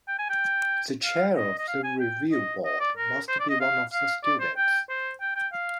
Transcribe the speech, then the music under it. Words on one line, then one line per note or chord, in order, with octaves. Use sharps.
The chair of the Review Board must be one of the students.
G5
G#5
G5
F5
D#5
D#5
F5
G#5
G5
D#5
D#5
D5
A#4
C5
D5
D#5
F5
F5
D5
C5
G5
C5
G5
G5
F5